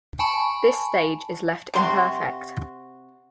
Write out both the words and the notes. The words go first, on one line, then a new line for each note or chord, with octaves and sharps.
This stage is left imperfect.
G#5 A5 B5 C#6
C3 F#4 C6